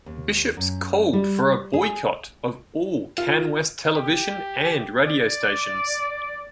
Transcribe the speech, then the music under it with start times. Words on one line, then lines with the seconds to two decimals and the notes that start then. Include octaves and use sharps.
Bishops called for a boycott of all CanWest television and radio stations.
0.06 D#2
0.57 F#2
1.13 G3
1.74 G#4
3.18 F4
3.96 G4
5.07 D5